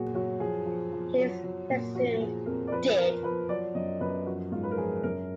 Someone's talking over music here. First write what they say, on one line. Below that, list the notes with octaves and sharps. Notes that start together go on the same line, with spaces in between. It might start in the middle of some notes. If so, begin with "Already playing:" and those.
He is presumed dead.
Already playing: A#2 F#3 F#4 G#4
F#3 F#4
F3 G#4
F3
F3
F#3
F#3
A#2
F3 F#4
F3 G#4
F2 A#4
D5
F3 B4
F3 A#4
F3 B4
F#3 D5
F#2 D#5
F#2 B4
F3 F#4
G#2 F4
B4
A#4
F3 G#4
F#2 A#4